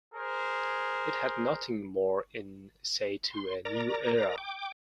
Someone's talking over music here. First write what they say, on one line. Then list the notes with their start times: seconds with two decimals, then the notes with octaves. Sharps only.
It had nothing more in say to a new era.
0.14 G#4 A#4 C5
3.28 C6
3.65 A#4 D5 A#5
4.38 G5 D6